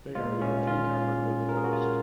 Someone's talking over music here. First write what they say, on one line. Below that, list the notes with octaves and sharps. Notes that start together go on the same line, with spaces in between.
They are largely covered with forest.
A#2 G#3 F4
C#4
F4
A#4
G#4
F#4
F4